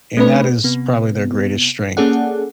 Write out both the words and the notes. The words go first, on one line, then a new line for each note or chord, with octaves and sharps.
and that is probably their greatest strength.
A3 C4 D4 B4 D5
C3 B3
A#3 C#4 G#4 A4 D5 F#5